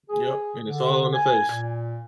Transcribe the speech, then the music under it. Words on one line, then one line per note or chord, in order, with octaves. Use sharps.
Yep, and it's all on the face.
G#4
D3
G#5
A#2